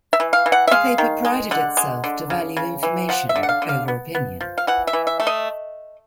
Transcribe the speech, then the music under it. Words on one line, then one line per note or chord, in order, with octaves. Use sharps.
The paper prided itself to value information over opinion.
E5
E3
F5
E3
F#5
E5
G#3 F5
D#3
G#3
D3 F#5
G#3
D3
C#3
C#3
E3
F3 F#5
E5
D3
F#5
F5
D3
F5
B3
B3
F3
F5
E3 F#5
E5
E3
E5
A3
D#5